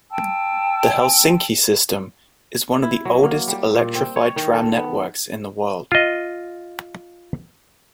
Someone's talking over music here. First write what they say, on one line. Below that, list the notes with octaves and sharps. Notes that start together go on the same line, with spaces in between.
The Helsinki system is one of the oldest electrified tram networks in the world.
G5 A5 E6
E4
F#3
A#3
G3
A#2
C4
C#5
D#3
A4
B3
F4 D#5